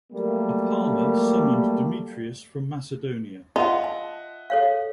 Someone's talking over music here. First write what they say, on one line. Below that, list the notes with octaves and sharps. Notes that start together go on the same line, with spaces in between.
Apama summoned Demetrius from Macedonia.
F#3 G3 A3 A#3
F4 D#5 E5 F#5
A5
A4 C#5 F5